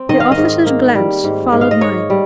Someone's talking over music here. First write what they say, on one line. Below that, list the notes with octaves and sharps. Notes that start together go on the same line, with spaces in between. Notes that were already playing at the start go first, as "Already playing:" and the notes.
The officer's glance followed mine.
Already playing: C4
D#3 D#5
F5
D#5
G#2
A#3
G3
G#2
G#2
F5
D#5
A#3 C#5
G3